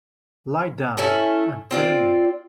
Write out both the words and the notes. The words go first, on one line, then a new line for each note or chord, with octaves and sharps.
Lie down, and tell me.
A3 C#4 E4 E5
C4 F4 D5